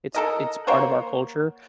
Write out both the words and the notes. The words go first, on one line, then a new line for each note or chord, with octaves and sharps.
It's it's part of our culture.
A4 A#4 D#5
A#3 C5 C#5 F#5